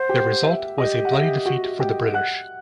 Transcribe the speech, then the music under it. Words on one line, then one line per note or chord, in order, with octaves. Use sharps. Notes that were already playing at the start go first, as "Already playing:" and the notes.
The result was a bloody defeat for the British.
Already playing: C5 F#5
G4 G5
E5
G4 D#5
F#5
E5
F#4 F#5
G4 G5
F#5 F#6